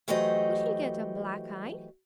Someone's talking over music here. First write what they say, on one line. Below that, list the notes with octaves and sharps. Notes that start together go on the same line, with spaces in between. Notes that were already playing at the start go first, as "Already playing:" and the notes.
Would he get a black eye?
E3 F#3 A3 G4 C5 D#5